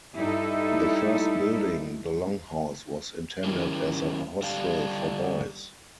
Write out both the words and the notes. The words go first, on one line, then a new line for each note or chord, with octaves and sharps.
The first building, the longhouse, was intended as a hostel for boys.
G2 D#4 E4 A4
D#3 F#3 C#4 E4 G4 A#4
D3 G3 D4 G4 F5